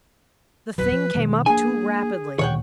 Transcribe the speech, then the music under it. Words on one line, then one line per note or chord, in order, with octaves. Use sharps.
The thing came up too rapidly.
D#1 B1 F#3 B4
F3
B2 D#3 G3
A#3 D4 G#4 G#5
D2 A#2 D#3 C#5 F#5 G5